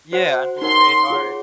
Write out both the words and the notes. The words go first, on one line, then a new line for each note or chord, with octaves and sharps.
Yeah, under the radar,
F#4 C5 F#5
D#4 A#4 C#5 F#5 C6
F4 G#4 C#5 F#5